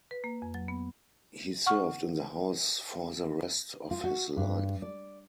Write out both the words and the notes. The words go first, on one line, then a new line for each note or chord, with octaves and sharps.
He served in the House for the rest of his life.
B4
A#3
F2
F#3
B3
F#5 C#6 F6
F4
F#4
G2
D5